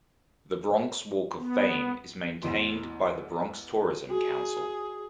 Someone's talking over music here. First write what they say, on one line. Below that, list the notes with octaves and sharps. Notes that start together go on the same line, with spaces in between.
The Bronx Walk of Fame is maintained by the Bronx Tourism Council.
B3
A1 E2 E3 C6
F#4 G#4